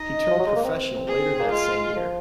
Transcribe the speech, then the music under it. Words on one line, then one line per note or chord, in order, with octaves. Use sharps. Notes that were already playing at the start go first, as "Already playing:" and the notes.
He turned professional later that same year.
Already playing: D#4 D#5
F3
F#3
G#3
A#3
C4
G#4
A#3
G#3 F4
F3